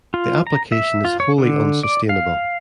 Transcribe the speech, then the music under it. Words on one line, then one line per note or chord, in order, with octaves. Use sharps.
The application is wholly unsustainable.
F4
A#5
E5
F4
C#5
D3
D5
F5